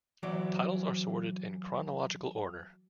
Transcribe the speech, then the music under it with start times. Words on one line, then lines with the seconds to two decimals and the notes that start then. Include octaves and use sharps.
Titles are sorted in chronological order.
0.23 E3 F#3 D5